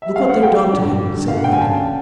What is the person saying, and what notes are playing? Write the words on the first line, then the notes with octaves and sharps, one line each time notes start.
"Look what they've done to him," said Gwendolen.
E5
F5
F#5
F#3 G5
G2
D3
F5
D3
F#5
G5
G#5
C#4 A5